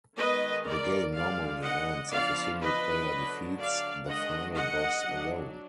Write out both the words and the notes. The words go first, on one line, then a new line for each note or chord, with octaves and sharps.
The game normally ends if a single player defeats the final boss alone.
D#3 G#3 B3 B4 D#5
A#4 D5
D3 G#3 D4 D5 F5
D#5 F#5
F3 B3 D4 D5 F5
B4 D#5
D3 F#3 D4
D5 F5
D#3 G#3 D4 D#5 F#5
D#5 F#5
F#3 D4